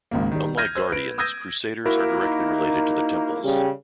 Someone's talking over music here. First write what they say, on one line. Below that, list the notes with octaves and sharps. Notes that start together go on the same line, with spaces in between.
Unlike guardians, Crusaders are directly related to the temples.
G#1 C#2 A#3
D#3 G3
F6 G6 G#6 A#6 D#7
C5 E6
B4 D7
D#6 E6 G6 G#6 A#6 D#7
A#3 E4 F#4 A#4
D#4
C#3 G3 G4